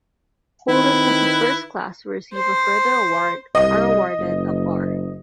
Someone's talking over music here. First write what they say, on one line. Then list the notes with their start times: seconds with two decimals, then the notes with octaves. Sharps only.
Holders of the first class who receive a further award are awarded a bar.
0.68 D#3 C4 E4 B4
2.34 C5
3.55 C2 D#5
4.18 F#1